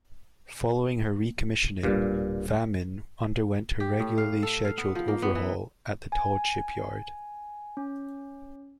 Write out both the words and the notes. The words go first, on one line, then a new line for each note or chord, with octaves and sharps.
Following her recommissioning, "Vammen" underwent her regularly scheduled overhaul at the Todd Shipyard.
D1 G2 A#2 G3
G4
A2
F5
A4
F5
B3
F3
A#3
B3
E3
G#5
C#4